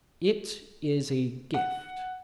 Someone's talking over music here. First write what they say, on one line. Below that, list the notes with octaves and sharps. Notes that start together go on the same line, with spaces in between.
It is a gift....
F#5